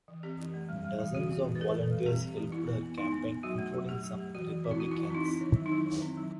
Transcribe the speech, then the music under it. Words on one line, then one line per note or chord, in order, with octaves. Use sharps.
Dozens of volunteers helped her campaign, including some Republicans.
E3
C4 G4
E3
A3
G3
G3
E3
E3 F#4
B3
E3
B4
E3 A4
E3
G3
C4 G4
C4
E3
B3 E4
B3
B3
B3 D#4
B3
B3
F#3 F#4
A3
F#3
A3 G4
F#3
A3
E3 F#4
E3
C4
E4
E3 F#4
E4
E3
E4
C4 D#4
C4 E4
D#3
F#3
D#4
F#3 E4
D#3
C4
F#3